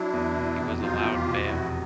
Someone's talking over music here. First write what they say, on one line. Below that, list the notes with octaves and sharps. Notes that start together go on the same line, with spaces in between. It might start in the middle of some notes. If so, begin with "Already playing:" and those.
He was allowed bail.
Already playing: F#3 D4 E4
E2
B2
F1
F#3 D#4 F4
E2
F4 G4
B2
E4 F#4
F1